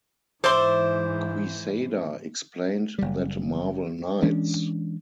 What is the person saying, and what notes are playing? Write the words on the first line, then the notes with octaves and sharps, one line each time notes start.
Quesada explained that Marvel Knights...
G#2 E3 C5 D5 E5 C6
F#1 G3
E3 G#3 C#4 D4